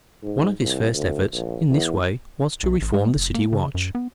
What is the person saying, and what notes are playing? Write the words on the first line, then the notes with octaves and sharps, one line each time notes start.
One of his first efforts in this way was to reform the city watch.
G#2
C2
D2
A#1
E2
B1
A1
G#3
F1
A#3
C#3
F#2
B3